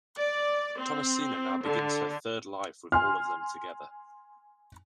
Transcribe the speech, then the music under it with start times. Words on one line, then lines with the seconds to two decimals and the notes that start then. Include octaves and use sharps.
Thomasina now begins her third life with all of them together.
0.16 D5
0.78 C4
1.63 D3
2.92 G#5 C6 F6